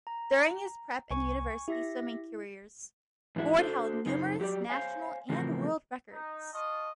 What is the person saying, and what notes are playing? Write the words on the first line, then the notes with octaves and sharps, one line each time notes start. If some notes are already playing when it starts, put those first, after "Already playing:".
During his prep and university swimming careers, Ford held numerous national and world records.
A#5
C2 G#5 C#6
E4 G4 E5 A#6
E2 G#2 D4 E4 F#4
D4 F#4 A4 C5
F#2 C#3 D#4 C5
F#3 G4 C5 D5
C5 C#5 F5 G#5
E2 A2 C#3 F3 C4 A#4
D#4
F4 D#5 A5 C#6